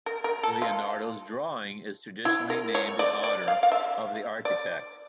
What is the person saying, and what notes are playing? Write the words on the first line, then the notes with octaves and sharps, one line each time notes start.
Leonardo's drawing is traditionally named in honor of the architect.
A#4
A#4
A4
F4
E4
A#4
C#5
D5
D5
F5
F5
E5
D5